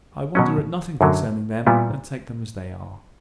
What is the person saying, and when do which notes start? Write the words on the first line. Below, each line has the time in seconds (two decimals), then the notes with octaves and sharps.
I wonder at nothing concerning them, and take them as they are.
0.35 B2 F#3 C#4
1.01 F#2 D3 F#3
1.67 A#2 G3 B3 E4